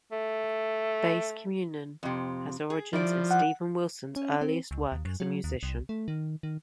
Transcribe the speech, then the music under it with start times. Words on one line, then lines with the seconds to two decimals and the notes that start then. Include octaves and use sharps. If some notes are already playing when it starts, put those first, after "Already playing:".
"Bass Communion" has origins in Steven Wilson's earliest work as a musician.
0.12 A3
2.03 F2 C3
2.70 G#4
2.93 F3 G3 E4 D5
3.31 F#5
4.16 C#4
4.41 C4
4.71 C#2
4.92 D#2
5.05 F#2
5.20 F#3
5.44 D#2
5.63 C2
5.89 A3
6.08 D#3
6.43 D#3